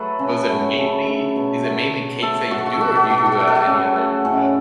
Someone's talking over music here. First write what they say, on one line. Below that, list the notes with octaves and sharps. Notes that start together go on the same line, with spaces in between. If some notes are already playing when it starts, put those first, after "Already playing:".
Was it mainly is it mainly cakes that you do, or do you do, uh, any other, uh
Already playing: F#3 A3 A4 B4
C#3
F#3 A3
C#3
A3
B2
F#3 A3
B2
A3 A4
B2 F#4
A4
F#4
A4
A3 F#4
A4
F#4
A4
B2 F#4
A4
F#4
A4
A3 F#4
A4
F#4
C#3
A3
A2 C#4